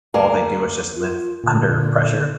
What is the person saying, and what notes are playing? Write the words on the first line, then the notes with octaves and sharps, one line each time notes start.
all they do is just live under pressure?
D2 A#3 G#4 A#4 D6
F4
A#2 D3